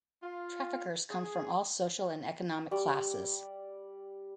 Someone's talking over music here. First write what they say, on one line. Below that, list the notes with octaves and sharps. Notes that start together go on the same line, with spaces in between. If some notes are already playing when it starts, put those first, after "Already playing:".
Traffickers come from all social and economic classes.
F4
G#4
G3 D6